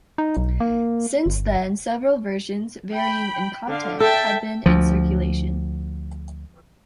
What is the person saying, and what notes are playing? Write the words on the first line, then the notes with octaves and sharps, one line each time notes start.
Since then several versions, varying in content, have been in circulation.
D#4
B1
A#3
G1
G5 B5
D3 F5
A4 E5 G5 A5
D2 F3